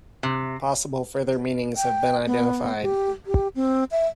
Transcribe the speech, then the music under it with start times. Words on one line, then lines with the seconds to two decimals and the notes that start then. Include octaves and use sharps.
Possible further meanings have been identified.
0.23 C3
1.76 G5
2.27 B3
2.82 G4
3.27 G4
3.56 C4
3.91 E5